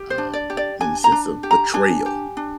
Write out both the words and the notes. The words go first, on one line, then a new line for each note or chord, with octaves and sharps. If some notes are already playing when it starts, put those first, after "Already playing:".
um, in a sense of betrayal,
Already playing: G4
C5
D4
D5
G4
D5
D4 G#5
A#5
D4
G4
A#5
D4 G#5
G4
D4